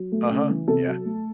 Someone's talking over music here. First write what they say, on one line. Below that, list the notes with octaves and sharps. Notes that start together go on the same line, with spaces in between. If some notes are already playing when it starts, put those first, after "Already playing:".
Uh-huh. Yeah.
Already playing: F#3
A3
C#3
E3
C3 A4
F#3
A3